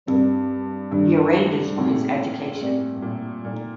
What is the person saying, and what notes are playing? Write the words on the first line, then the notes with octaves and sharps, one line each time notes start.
He arranges for his education.
G2 C4 G4 A#4 D5
G2 D#3 G3 D4 A4 D5
A2 C4 D#4 F#4 A4
A#2
A2
A2 C4 G4 A#4 D5
A#2
A#2 A3 D#4 A4 D5